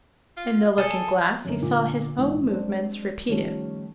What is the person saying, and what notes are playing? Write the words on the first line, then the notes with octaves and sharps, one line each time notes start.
In the looking-glass he saw his own movements repeated.
F4
G#4 A4 D#5
F#2 D3 A#4
A#2 D3
A#1 G#2 E3
F#3 G#3 C4 D4 D5
D#3 F3 G3 A3 C#4